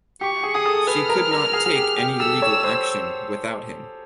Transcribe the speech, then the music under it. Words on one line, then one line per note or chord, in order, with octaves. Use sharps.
She could not take any legal action without him.
G4 C#6
G#4
G#4 D#6
A4
B4 F6
A#4
A#4
G#4
G#4
G4
G4
A4 E6
C#5
C5